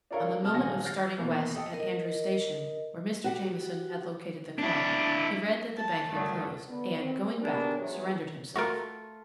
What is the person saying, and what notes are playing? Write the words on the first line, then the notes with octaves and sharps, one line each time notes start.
On the moment of starting west, at Andrews Station, where Mr. Jamieson had located the car, he read that the bank had closed, and, going back, surrendered himself.
D4 F4 A4 A#4 C#5 F5
C3 A#3 F4 G4 A5 F6
D#1 A#1 G#3 F#4 G#5 A#6
F6 G6 A6 A#6 C7
B2 E3 A#3
A4 D#5 G5
A#4 D#5
F#4 G4
D4 E4
A5
G2 D3 D#3 F#3 A3
D3 B3 B4
C4
D#3 B3 D4 G4 G#4 A#4
E2 G#2 F#3 G#4 C#5
A3 F4 F#4 A#4